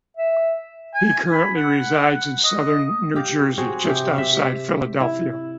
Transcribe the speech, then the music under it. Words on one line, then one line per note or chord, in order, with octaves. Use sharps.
He currently resides in southern New Jersey, just outside Philadelphia.
E5
G#5
B5
F#5
D#5
G4 F5
C4 F#4 G#4
C3 G4
E5
E4